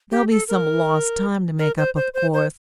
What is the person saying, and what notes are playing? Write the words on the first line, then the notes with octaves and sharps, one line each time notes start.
There'll be some lost time to make up, of course.
G4
A4
A#4
A#4
C5
C5
C5
C5